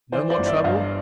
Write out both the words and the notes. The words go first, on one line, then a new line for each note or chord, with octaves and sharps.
No more trouble?
E3 C5 D5
C5 D5
G1
D5 E5
G2 D#5 F5